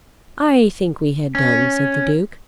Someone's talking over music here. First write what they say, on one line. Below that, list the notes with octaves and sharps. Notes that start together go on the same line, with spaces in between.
"I think we had done," said the Duke.
C#4